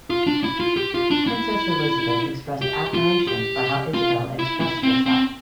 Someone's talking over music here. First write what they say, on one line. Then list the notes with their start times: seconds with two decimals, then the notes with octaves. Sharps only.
Princess Elizabeth expressed admiration for how Isabel expressed herself.
0.10 F4
0.27 D4
0.44 E4
0.60 F4
0.77 G4
0.94 F4
1.11 D4
1.27 E4
2.62 G4
2.94 F4
3.27 G4
3.94 F4
4.39 E4
4.61 E4
4.83 C4
5.06 C4